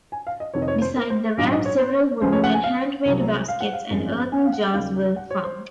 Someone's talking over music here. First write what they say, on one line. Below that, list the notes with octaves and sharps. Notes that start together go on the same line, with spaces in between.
Beside the ramp several wooden and hand-made baskets and earthen jars were found.
G#5
F5
D#5
F1 F2 D#3 C#5
D#5
C#5
C5
A#4
C5
A#1 G#2 F#3 F5
D#5
C#5
C5
C#2 C#3 F3 G#3 C5
C#5
F#5
G#5
F5
C2 C3 F#3
F5
F#5
F5
G#1 F#2 F3 G#3
G#5
F#5
F5
F#5
D#2 C#3 F#3 F5
F#5
C#5
C5